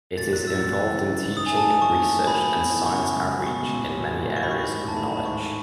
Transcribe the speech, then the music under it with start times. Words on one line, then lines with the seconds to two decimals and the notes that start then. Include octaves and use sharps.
It is involved in teaching, research and science outreach in many areas of knowledge.
0.17 A1 A6
0.32 F#3 F#6
0.47 A2 E6
0.63 A1
0.78 E3
0.92 C#3
1.07 F#2
1.22 G#1
1.37 D#4 D#6
1.46 G#5
1.52 A3 A5
1.67 D#3
1.82 D#2 C#6
1.97 A2
2.12 A3
2.27 F#3 B5
2.41 A2
2.57 B3
2.71 E3
2.86 C#3 C#6
3.02 F#2
3.17 C#2
3.31 F#3
3.46 B2 C#6
3.62 C#2
3.76 A1
3.91 F#3
4.06 A2
4.21 A1
4.36 F#3 C#6
4.43 B5
4.51 D#3 C#6
4.66 G#2
4.82 A1
4.88 A5
4.96 A3 B5
5.11 D#3
5.25 G#2 C#6